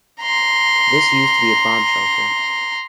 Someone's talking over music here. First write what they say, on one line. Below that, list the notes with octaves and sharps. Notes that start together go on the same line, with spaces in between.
This used to be a bomb shelter.
A#5 C6